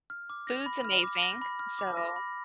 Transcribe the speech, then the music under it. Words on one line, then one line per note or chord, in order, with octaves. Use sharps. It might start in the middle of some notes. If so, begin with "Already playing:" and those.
Food's amazing, so
F6
D6
A#6
B5
F6
D6
A#6
B5
F6
D6
A#6
B5